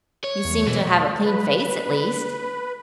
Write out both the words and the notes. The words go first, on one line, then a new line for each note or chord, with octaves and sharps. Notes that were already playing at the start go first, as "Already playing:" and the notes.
"You seem to have a clean face, at least."
C#5
E2
B2 E3
B4 B5